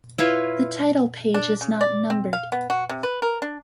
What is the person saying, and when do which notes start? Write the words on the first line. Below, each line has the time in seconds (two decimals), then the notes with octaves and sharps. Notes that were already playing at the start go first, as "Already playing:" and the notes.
The title page is not numbered.
0.18 E4 F4 B4 C#5
1.34 D4
1.61 C#3
1.81 D5
2.10 C4
2.33 F5
2.52 B3
2.70 F#4
2.89 C3
3.03 B4
3.22 A#4
3.42 D4